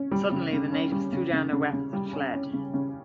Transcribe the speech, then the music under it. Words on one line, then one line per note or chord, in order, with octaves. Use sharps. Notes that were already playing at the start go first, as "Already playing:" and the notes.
Suddenly, the natives threw down their weapons and fled.
Already playing: C#4
G3
C#3
C#3
C#4
G3
C#3
C#3
C#3
C#3
G3
C#4
C#4
C#3
C#3